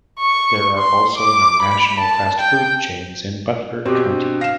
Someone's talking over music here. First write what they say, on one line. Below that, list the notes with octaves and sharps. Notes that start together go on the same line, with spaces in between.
There are also no national fast food chains in Butler county.
C#6
C6
D6
B5
A5
G5
B2 C4 G4
D4
F5 A#6 E7